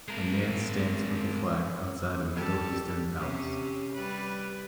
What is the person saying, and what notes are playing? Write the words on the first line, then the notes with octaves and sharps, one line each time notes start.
A man stands with a flag outside a middle eastern palace.
G#3 A#4
G3 G4 A4
C3 C#4 G4
G3 B4